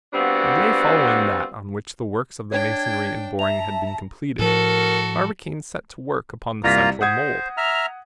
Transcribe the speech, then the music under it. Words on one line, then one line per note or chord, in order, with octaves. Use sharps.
The day following that on which the works of the masonry and boring had been completed, Barbicane set to work upon the central mould.
G3 B3 C4 D4 F4 F#4
D4 C#5 G5 G#6
E5 A5 A#5 F7
A2 F3 F#4 A4 A#4
C2 A#3 F4 A#5 A#6 B6
C5 F#5 D#6 G#6
E5 A#5 F6